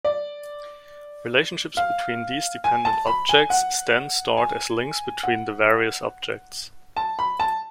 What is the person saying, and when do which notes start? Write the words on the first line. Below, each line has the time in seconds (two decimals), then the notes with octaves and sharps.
Relationships between these dependent objects is then stored as links between the various objects.
0.05 D5
1.77 F5
2.64 G#5
2.85 A5
3.07 B5
3.29 G#5
3.50 F#5
4.37 G#5
5.23 F#5
6.96 A5
7.19 B5
7.40 A5